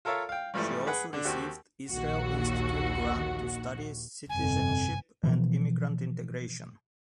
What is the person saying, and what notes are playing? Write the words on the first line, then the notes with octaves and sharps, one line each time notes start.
She also received an Israel Institute Grant to study citizenship and immigrant integration.
F4 A4 A#4 C#5 E5 F5
F5 G5
A1 G2 E3 F3 G3 A3
G#4 B4 F#5
D3 D4
D#2 C4 F#4 G4
A#1 D#2 F#4
G1 F2 C3 G#5
B2 E3 F3